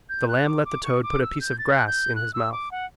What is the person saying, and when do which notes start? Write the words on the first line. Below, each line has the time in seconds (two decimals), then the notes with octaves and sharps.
The lamb let the toad put a piece of grass in his mouth.
0.09 G6
0.28 F#6
0.46 D6
0.65 D6
0.84 C#6
1.03 D6
1.22 E6
1.40 G6
1.58 A6
1.76 F#6
1.87 G6
2.15 F#6
2.34 E6
2.52 D6
2.71 F#5